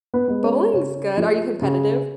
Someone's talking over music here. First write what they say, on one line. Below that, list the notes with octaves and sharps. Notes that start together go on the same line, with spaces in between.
bowling's good. Are you competitive?
B3 B4
G#3 B3
C#4 C#5
C#3 C#4 C#5
F3 A3
C#3